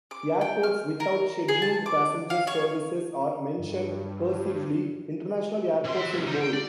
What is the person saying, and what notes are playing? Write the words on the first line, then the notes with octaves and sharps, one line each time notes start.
Airports without scheduled passenger services are mentioned "cursively"; international airports in bold.
D6
G5
F6
A#4
G#4
A5
D6
F5
C#5
G2
C3 C6
E3 E5
B1 E2
D#4 C5
G5
D5